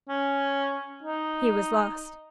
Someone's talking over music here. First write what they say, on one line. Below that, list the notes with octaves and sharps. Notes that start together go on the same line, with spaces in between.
He was lost.
C#4
D#4